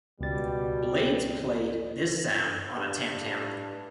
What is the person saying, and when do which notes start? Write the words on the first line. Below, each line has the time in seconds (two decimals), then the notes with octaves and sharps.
Blades played this sound on a tam-tam.
0.21 C#2 B2 G3 A6
2.76 G2